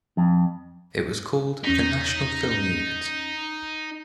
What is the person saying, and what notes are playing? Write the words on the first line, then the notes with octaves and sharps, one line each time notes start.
It was called the National Film Unit.
F2
E2 C#4 D#4 B6